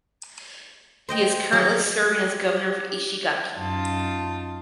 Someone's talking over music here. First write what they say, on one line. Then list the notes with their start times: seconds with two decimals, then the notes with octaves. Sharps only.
He is currently serving as governor of Ishigaki.
1.09 C5 D#5 G5
1.52 F#3 G#4
2.08 G4
3.56 F#2 D#4 F4 A5